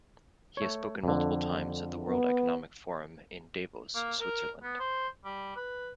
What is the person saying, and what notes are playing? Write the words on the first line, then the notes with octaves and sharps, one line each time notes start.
He has spoken multiple times at the World Economic Forum in Davos, Switzerland.
A3 C#5
F2 D3
B3
A#3
A#4
B3
C5
G3
B4